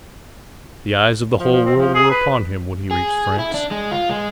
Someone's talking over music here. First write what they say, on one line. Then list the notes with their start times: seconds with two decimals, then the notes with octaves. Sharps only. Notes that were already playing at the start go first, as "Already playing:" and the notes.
The eyes of the whole world were upon him, when he reached France.
1.40 F3
1.51 F3
1.65 C4
1.77 F3
1.95 G#4
2.11 B4
2.91 G#4
3.39 E4
3.54 D4
3.71 G#3
3.92 F4
4.09 G#3